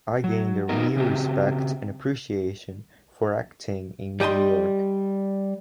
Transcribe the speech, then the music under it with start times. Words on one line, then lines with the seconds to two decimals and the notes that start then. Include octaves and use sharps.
I gained a new respect and appreciation for acting in New York.
0.24 F#3
0.69 B3 D#4 F#4 A#4
0.96 C#3 C4 F#4 G4
4.20 G3 G4 D#5 A5 C6